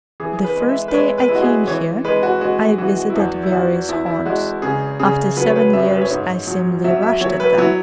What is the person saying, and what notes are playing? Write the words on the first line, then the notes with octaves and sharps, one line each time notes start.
The first day I came here I visited various haunts, after seven years I simply rushed at them.
E3 G#4
G#4
B4
G#3
E5
B4
G#3 C#5
B4
G#3 E4
F#4
G#4
E3 C#5
G#3 B4
F#4
G#3 F#4
E3 F#4
F#4
E4
E2 F#4
E4
E2 F#4
E2 E4
E4
G#3 F#4
C#3 G#4
C#3 G#4
F#3 B4
C#5
B4
F#2 E5
C#5
B4
C#5
G#2
F#3
F#3 E5
E5
F#3 C#5
B4
F#3 E4